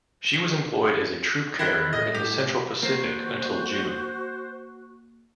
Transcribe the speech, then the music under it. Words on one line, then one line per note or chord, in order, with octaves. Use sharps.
She was employed as a troop carrier in the Central Pacific until June.
D#3 E4 F#6
A2 D#5
G4
A#3 F#4 C5